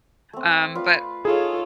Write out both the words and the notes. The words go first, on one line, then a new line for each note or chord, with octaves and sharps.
um, but
A3 C4
F4 B4 D5
D#4 F4 G#4 A4 C#5